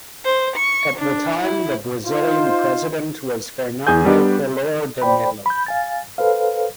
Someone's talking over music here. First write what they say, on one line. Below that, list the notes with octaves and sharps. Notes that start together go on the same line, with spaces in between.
At the time the Brazilian president was Fernando Collor de Mello.
C5
C#6
D4
E4
D#4 F4 C5
E2 G#4 G#5 G6
G3 B3 D4 G4
C5 D5 G5 B5
B5 G6
F5 G#5 A6
A4 B4 C5 F5